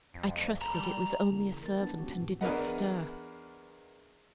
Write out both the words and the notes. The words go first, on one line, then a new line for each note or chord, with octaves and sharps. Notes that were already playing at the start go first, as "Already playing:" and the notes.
I trusted it was only a servant, and did not stir.
F2
F#1 A5 A#5
G3
C#3 E3 A#3 E4
A#4 A6
G#3 B3 D4 E4 A5
C#4 F#4 G4
G#2 B2 E3 A3 C4
E2 D4 A#4 B4 D#5 F#5